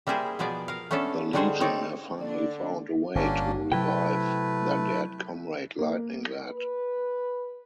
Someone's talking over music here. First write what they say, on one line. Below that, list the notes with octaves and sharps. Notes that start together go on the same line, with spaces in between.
The Legion have finally found a way to revive their dead comrade Lightning Lad.
G3 A#3 E4 G#4 C5
B2 F3 B3 G#4 D5
A#4 F5
A3 B3 C#4 D4 A4
D3 G3 G#3 F#4 G#4 C5
C4 D#4 C#5 D5
D3 A#3 D4 D5
G1 A#3 C#4 D4
C3 F#3 A3 E4 B4 G5
A#3
B4